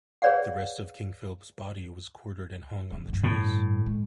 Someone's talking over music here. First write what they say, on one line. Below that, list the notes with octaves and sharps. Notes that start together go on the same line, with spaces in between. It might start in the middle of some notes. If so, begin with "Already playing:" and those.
The rest of King Philip's body was quartered and hung on trees.
G#4 B4 C#5 D5 F5 F#5
C#3 F3
G2 D3
A2
G#3